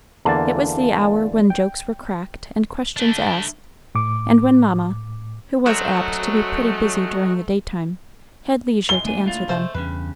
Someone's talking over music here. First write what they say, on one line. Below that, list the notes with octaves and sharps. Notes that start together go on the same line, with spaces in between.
It was the hour when jokes were cracked and questions asked, and when Mamma, who was apt to be pretty busy during the daytime, had leisure to answer them.
E2 D3 A#3 D5 F5 A5
G5
A3 D4
A2 D6
F#3 A3 C#4 F#4 A#4 C5 D#5 F#5
B2 E3 G#3 G7
D#3 A3 A#3 D4 G#5
A2 D3 F4
C3 G#3 A3 C5
E2 G2 C#3 B4